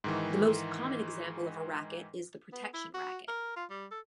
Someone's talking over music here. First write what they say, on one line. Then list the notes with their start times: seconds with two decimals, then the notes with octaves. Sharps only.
The most common example of a racket is the protection racket.
0.04 G#2 D#3 E3
2.52 B3
2.73 E4
2.94 F#4
3.28 A#4
3.56 F4
3.70 G3
3.91 A4